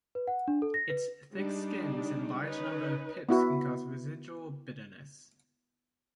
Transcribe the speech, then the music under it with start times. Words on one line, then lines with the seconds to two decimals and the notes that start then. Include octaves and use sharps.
Its thick skins and large number of pips can cause residual bitterness.
0.15 B4
0.28 F#5
0.48 D4
0.62 A4
0.74 A#6
0.90 B4
1.33 G3 G#3 D4 D#4
2.44 C#4 D#4 B4
3.29 B3 E4 F#4